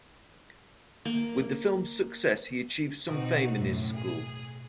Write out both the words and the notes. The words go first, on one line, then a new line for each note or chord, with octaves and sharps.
With the film's success, he achieved some fame in his school.
A#3
B2 C4 D#4 F#4
F#2 A2
G#4